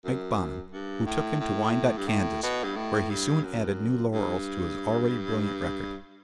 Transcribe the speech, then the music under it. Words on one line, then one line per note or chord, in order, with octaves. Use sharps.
Ike Bonham,--who took him to Wyandotte, Kansas, where he soon added new laurels to his already brilliant record.
F#2
G2
A2
A2
G2
A2
B2
G2
A2
G2
F#2
G2